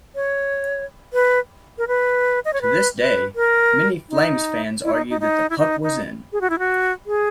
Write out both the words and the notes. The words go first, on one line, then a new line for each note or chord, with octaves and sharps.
To this day, many Flames fans argue that the puck was in.
C#5
B4
A#4
B4
D#5
C#5
B4
B4
A#4
D#4
E4
D#4
D#4
D#4
E4
D#4
D#4
G#4
F#4
E4
F#4
G#4